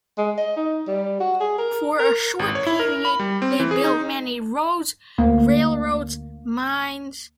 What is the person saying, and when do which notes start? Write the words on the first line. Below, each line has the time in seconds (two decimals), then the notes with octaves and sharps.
For a short period they built many roads, railroads, mines...
0.18 G#3
0.38 D#5
0.57 D#4
0.87 G3
1.20 F#4
1.40 G#4
1.58 A#4
1.99 A#4
2.39 G#1
2.55 C#5
2.67 E4
2.80 A#4
3.05 B5
3.20 G3
3.42 C4
3.60 E3
3.71 G#4
3.84 D#4
5.18 D2 A#3